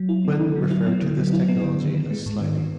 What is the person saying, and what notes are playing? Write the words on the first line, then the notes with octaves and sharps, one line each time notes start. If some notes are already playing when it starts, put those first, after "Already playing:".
Quinn referred to this technology as sliding.
Already playing: F#3
E4
B3
D3
F#3
E4
B3
D3
F#3
E4
B3
D3
D#3
B3
G#3
G#2
D#3
B3